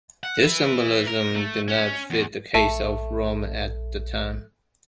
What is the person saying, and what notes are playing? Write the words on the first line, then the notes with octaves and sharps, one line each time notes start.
This symbolism did not fit the case of Rome at the time.
F#5
B4 E5
A#4
A3
C#4
E2
A#1 A3